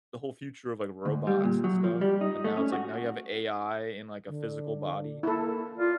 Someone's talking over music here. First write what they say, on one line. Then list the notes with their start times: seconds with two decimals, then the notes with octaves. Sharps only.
the whole future of, like, robots and stuff and now it's, like, now you have AI in, like, a physical body.
1.05 D2
1.27 G3
1.44 A#2
1.64 F#3
1.84 F3
2.01 G3
2.21 D#4
2.44 A3
2.57 C#4
2.72 F#4
4.28 D3
5.23 A#3 E4 A4
5.78 F4 D5